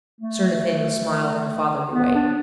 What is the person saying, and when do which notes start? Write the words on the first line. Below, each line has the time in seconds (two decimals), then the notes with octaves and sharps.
Sir Nathaniel smiled in a fatherly way.
0.21 A3
1.93 B3
2.15 D4